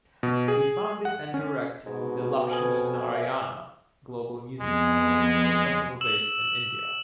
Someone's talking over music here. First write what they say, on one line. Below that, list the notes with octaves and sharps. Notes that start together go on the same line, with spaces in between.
He founded and directs the Lakshminarayana Global Music Festival, a festival based in India.
B2
G#4
F#5
C#4
G#2 B2
F2 B4 G#5 D#6
D5 E5 F5
F2 G#3 B3
E6 E7 F#7